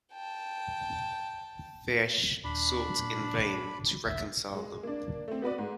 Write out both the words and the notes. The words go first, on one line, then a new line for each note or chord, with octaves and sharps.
Fesch sought in vain to reconcile them.
G5 A5
D#1 D4 B5
A#2
A#1 D#2 G#2 E5
G#3
A#3 D4
A3 C4
B3 F#4 B4 D5
G#2